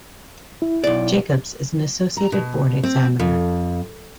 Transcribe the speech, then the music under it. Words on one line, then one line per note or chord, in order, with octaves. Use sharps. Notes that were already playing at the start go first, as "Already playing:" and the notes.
Jacobs is an Associated Board examiner.
E4
B1 D5
A#5
B2
C4
F2